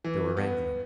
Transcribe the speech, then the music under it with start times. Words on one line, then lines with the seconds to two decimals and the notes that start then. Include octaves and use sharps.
They were wrangling.
0.04 E3
0.37 B3